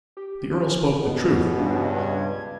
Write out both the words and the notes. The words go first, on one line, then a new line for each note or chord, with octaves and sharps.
The earl spoke the truth.
G4
C#4
B2
C#2 G2
G#6